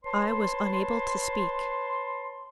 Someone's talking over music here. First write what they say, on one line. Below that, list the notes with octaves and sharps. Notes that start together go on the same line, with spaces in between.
I was unable to speak.
B4 C#5 A5 B5 C6